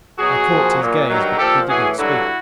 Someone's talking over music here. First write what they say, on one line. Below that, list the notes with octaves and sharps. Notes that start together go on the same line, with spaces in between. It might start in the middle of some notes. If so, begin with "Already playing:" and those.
I caught his gaze but he did not speak.
B2 F#3 F#4 G#4
A#2 F3
A#2 F#3
G2 D#3 F#3
A#2 F3 G4 A4
A2 E3 F#4 G#4
G2 D3 F#3 E4 F#4